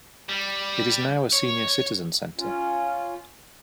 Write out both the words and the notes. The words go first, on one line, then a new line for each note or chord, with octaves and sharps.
It is now a senior citizen center.
G3
C#5
C#4 F4